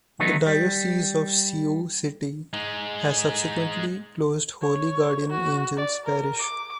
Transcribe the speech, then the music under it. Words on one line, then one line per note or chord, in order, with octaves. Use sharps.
The Diocese of Sioux City has subsequently closed Holy Guardian Angels Parish.
D#3 F#3 A3 B3 D4 D#4
G3
G#3 D#4
C#5
F#4
D5
A#4
D6